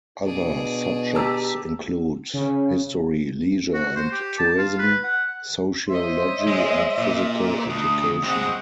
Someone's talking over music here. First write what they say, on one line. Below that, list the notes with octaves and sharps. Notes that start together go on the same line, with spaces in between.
Other subjects include History, Leisure and Tourism, Sociology and Physical Education.
B2 D4 G#4
G4 A5 A#5 E6
C#3
F#4
C5
G4
A5
F4
B4
F#5
C5 C#5 D#5 E5 C6
G#3
A#2
D2 D#6
G#3 C4 F#4 F#5